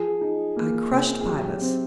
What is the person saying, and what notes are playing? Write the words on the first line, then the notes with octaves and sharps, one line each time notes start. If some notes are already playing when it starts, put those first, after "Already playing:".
I crushed Pybus.
Already playing: F3 G#4
D#4
A#3
C3
G#4
F#3 G4
C4